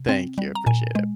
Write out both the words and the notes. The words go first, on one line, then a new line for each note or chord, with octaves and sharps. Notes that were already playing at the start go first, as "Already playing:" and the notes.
Thank you. I appreciate it.
Already playing: C3
C4
G3
A#5
A#2 G#5
G#3